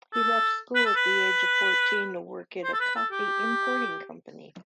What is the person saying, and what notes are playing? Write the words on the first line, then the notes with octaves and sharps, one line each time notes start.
He left school at the age of fourteen to work in a coffee-importing company.
A4
B4
A4
B4
C5
A4
B4
A4
G4